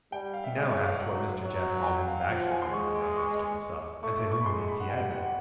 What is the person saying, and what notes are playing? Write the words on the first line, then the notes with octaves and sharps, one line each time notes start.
He now asked what Mr. Jack Maldon had actually written in reference to himself, and to whom he had written?
G3 G5
F5
E5
G#3 D#5
C#5
F5
F#3 F#5
F#3
G#5
G5
F5
F5
F3 F#5
G#5
C6
G#3 C#6
D6
D6
C#6
A3 C#6
D6
C#6
B5
G#3 C6
B5
F#5
G3 G5
F#5